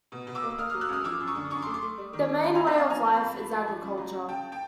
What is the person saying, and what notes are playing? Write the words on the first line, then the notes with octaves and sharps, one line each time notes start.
The main way of life is agriculture.
B2
B2
D6 E6
A#3
A#3 D#6 F6
F#3 D#6 F6
E6 F#6
C#2 D#6 F6
F3 D6 E6
F#2
C#6 D#6
D3
F#2 C#6 D#6
C6 D6
A3
C6 D6
A3
G3
D#3
D#3
D#3 A5 B5
C4 G#5 A#5
D5 E5
C4 D#5 F5
F3 G#5 A#5
C4
A5 B5
G#2
F3
A3
F3
C#3
F#3
C#3
C#3 G5 A5
G5 A5